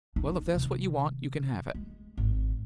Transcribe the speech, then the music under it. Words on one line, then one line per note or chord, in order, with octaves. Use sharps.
Well, if that's what you want, you can have it.
D4 D#4
C3 D#3
G#3
G#1